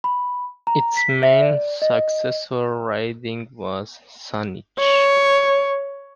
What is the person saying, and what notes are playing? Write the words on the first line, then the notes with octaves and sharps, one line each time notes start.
Its main successor-riding was Saanich.
B5
A#5
B6
E5
D5
D#5
C#5